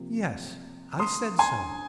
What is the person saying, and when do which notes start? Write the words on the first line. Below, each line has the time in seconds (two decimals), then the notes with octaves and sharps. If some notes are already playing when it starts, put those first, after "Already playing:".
'Yes, I said so.
Already playing: C3 F3 A#3
1.00 C6 D#6
1.39 G#5 C6